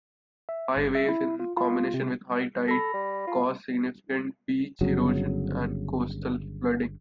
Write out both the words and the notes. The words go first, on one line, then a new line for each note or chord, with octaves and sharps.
High waves, in combination with high tide, caused significant beach erosion and coastal flooding.
E5
G1
E5
E4
F4
F4
C3
A4 B5 A#6
G3
F4
G1 C#3 F#3